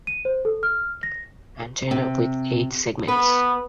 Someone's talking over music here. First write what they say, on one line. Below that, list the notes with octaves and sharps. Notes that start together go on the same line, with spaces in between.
Antenna with eight segments.
D#7
C5
A4
F6
A#6
C3
B3 B4